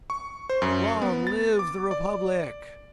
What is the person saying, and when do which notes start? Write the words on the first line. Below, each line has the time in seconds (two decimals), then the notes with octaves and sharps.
"Long live the Republic!"
0.10 C#6
0.49 C5
0.62 F#2
1.02 B3
1.27 A6
1.59 D6
1.91 D5